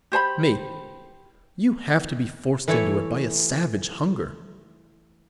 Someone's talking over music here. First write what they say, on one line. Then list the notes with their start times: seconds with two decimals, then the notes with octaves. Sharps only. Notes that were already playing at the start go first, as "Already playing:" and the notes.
ME: You have to be forced into it by a savage hunger.
0.12 G4 C5 A5 B5
2.68 E3 A3 E4 C#5